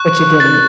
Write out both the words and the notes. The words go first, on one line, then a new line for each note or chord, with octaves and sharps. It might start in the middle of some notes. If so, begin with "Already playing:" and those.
But you didn't.
Already playing: C#6 F#6
A6